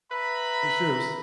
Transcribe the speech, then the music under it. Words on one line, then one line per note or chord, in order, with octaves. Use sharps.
For sure, it was
B4 E5 A#5 B5